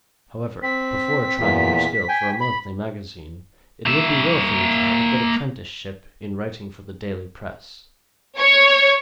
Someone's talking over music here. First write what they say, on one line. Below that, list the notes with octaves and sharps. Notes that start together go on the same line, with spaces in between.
However, before trying your skill for a monthly magazine it would be well for you to have a good apprenticeship in writing for the daily press.
C4 B6
E2 A#2
G5 G#5
B5
A#3 E5
C#5